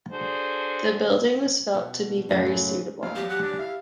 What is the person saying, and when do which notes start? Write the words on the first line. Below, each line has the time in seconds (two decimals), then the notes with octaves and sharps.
The building was felt to be very suitable.
0.11 D4 F#4 G#4 A4 C5
1.74 B2
2.29 F#2 A2 C#3 F#3
3.03 F1 D2 G2 F5
3.15 E2 F#3 G4
3.29 G4 F#5
3.43 D4
3.59 E4 F5